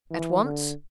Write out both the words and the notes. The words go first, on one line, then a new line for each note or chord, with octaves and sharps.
"At once?"
E3
D3